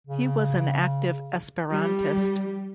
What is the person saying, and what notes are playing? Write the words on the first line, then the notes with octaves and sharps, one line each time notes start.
He was an active Esperantist.
C#3
G3